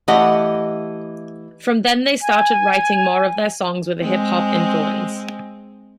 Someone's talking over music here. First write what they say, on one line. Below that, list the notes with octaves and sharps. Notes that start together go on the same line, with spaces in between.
From then they started writing more of their songs with a hip hop influence.
E3 A3 G4 D#5 F#5
G#5
G#3 C4